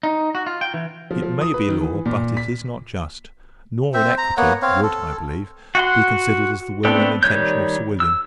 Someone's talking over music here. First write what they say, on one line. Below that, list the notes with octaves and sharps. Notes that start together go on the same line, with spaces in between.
It may be law, but it is not just; nor in equity would, I believe, be considered as the will and intention of Sir William.
D#4
F#4
F4
G5
E3
F3
F3
D#6
B4
D#3
E3
A#2
B6
C4 C5 E5
A#5
A#3 B3 C#5 F#5
C4 C#5 F5
A4
F#4 F#5 C6
A3 B3 C4 D4
D#3 G3 C#5 G6
E6